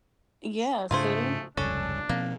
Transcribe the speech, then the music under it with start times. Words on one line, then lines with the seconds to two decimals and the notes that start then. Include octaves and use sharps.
Yeah, see.
0.91 G#2 C#3 A3 D4 F4 G#4 C5
1.57 F1 C#2 G2 C#4 D4 A4
2.09 B2 F3 A#3 C4